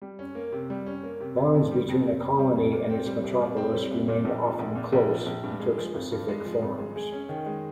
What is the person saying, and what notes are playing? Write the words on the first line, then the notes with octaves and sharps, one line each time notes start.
Bonds between a colony and its metropolis remained often close, and took specific forms.
G3
C#4
A#3
C3
G3
C#4
A#3
C3
C3
F2
G3
F2
C3
F2
G3
F2
A#2
C4
G3
C2
A#2
C4
G3
C2
A#2
A#1
F3
A#1
A#2
A#1
F3
A#1
G2
G#3
F3
G#1
G2
G#3
F3
G#1
G#3
G#4
C#4
D#3
G#3